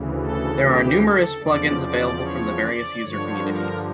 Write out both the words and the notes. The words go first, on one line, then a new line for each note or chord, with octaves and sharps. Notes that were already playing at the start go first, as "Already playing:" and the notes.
There are numerous plugins available from the various user communities.
Already playing: D2 C#3 E3
A4
G4
A4
E2 C#3 F3 D5
D5
C#5
D5
G2 D3 F3 C#5
A#4